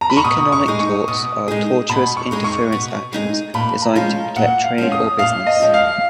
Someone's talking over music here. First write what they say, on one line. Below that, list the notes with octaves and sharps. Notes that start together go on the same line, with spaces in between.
Economic torts are tortious interference actions designed to protect trade or business.
A#5
B5
C#6
B2 D#6
C#6
G#3 D#4 G#4
C#6
B2 D#6
G#3 D#4 G#4
B2 B5
C#6
G#3 D#4 G#4
C#6
B2
G#3 D#4 G#4
A#2 B5
A#5
F3 G#3 C#4 F4
A#2 F#5
F5
F3 G#3 C#4 F4
D#6
A#2 F5
D#5
F3 G#3 C#4 F4
F5